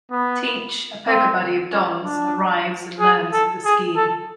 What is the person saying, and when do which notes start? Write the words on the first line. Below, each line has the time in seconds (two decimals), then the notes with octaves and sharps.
Teach, a poker buddy of Don's, arrives and learns of the scheme.
0.12 B3
1.07 C4
1.72 C#4
2.04 D4
3.00 G#4
3.33 A4
3.65 G#4
3.96 A4